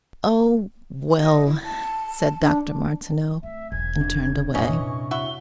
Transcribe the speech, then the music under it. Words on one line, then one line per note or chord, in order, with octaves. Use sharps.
"Oh!--WELL!" said Dr. Martineau and turned away.
D#5
E4
A5
D4
A3 C4 E5
E1 B1 G#6
C3 D4
F2 A#2 E3 C#4 D#5 C#6
E4 F#4 E5 G7